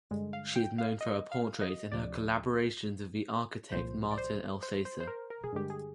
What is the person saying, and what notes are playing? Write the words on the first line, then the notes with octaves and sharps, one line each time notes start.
She is known for her portraits and her collaborations with the architect Martin Elsaesser.
G2 D3 G#3
F5
G5
F5
D#5
F5
D#5
D2 C3 F3 D5
C2 A#2 F3 C5
D5
C5
C5
C5
C5
A#4
A#4
G#4
G2 D3 G#3 G4
G#4